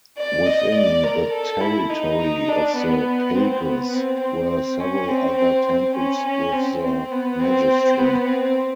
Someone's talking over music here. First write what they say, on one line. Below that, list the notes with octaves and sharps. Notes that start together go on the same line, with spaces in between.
Within the territory of the "pagus" were several other temples with their "magistri".
D5
D#5
D5
A#4
A4
E4
D#4
D#4
D4
B3
C4
B3
C4
C4
C#4
C4
C4
C4
C#4
C#4
C4
C4
B3
C4
B3
C4